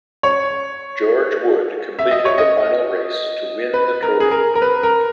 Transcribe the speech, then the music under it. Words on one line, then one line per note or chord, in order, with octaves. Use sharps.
George Wood completed the final race to win the trophy.
C#5
E5
D#5
C#5
D#5
B4
A#4
G#4
A#4
A#4
B4
A#4